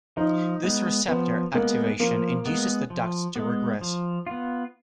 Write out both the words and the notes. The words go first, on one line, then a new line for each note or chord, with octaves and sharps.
This receptor activation induces the ducts to regress.
F3 D#4
G#3 B3
F3 B3
G#3 A#3 B3
F3 A#3
G#3 B3
F3
G#3 B3
F3
B3 F4